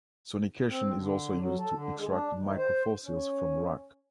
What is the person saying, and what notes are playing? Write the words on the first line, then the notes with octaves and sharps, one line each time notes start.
Sonication is also used to extract microfossils from rock.
C4
D3
F#3
A4
D3
G#3
D4
D#3
C5
C#4